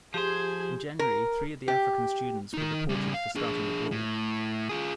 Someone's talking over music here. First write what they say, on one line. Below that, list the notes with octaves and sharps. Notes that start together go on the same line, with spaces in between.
In January, three of the African students were deported for starting the brawl.
F3 G4 G#4 C5 G#5
A#4
G4
D#3 D#4
C#3 G3
F5
D4 G#4
A2
F4 G#4